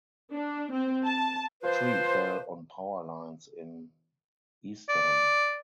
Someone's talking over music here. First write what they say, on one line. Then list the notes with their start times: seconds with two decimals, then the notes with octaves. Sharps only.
A tree fell on power lines in Eastham.
0.31 D4
0.72 C4
1.05 A5
1.62 F3 F4 B4 C5
4.89 D5